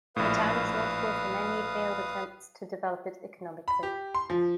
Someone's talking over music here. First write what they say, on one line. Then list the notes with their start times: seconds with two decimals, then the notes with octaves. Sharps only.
The town is notable for many failed attempts to develop it economically.
0.16 A#1 A2 B4 F5 D#6
3.68 B5
3.83 G4
4.15 C6
4.30 F3